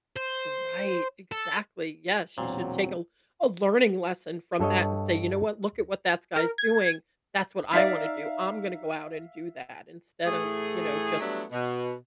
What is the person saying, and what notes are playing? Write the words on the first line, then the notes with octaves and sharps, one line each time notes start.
Right, exactly, yes. You should take a a learning lesson from that and say, "You know what? Look at what thats guy's doing. That's what I wanna do. I'm gonna go out and do that," instead of, you know, just
C5
A4
E1 A#2 F#3 C4
G2 A4 C#5 D#5
A#4
G#6
D#4 A#4 D5 E5 F5 B6
A2 E3 A3 G#4
F#3 G3 A3 B3 D4 E4
B2